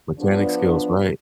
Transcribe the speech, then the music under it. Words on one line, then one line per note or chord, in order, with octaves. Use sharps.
Mechanic skills, right?
F3 B3 D4